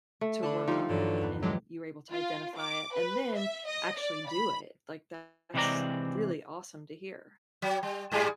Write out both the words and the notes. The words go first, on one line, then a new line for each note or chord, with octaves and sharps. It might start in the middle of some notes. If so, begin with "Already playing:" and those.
to work on that, and you were able to identify it and then actually do it. Like, that's really awesome to hear.
A3
D3 A5 B5
F3 G3 D#4 F5
G2 D3 E3 F#3
E2 B3
A#2 D3 F3 F#3 G#3 A3 G4
F4
D6
B4
E5
D#5
D5
B5
C3 E3 G#3 C4 D5 A#5
F#3
G3
G#2 G3 G#4